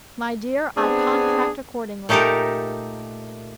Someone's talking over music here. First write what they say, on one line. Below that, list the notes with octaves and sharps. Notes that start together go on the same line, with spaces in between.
"My dear, I contract accordingly."
B3 C4 D4 G#4
A#2 A3 D#4 G4 A4 A#4